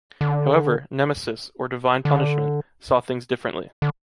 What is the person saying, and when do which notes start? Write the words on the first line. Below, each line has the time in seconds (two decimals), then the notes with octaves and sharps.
However, Nemesis, or divine punishment, saw things differently.
0.21 D3
2.05 D3
3.82 D3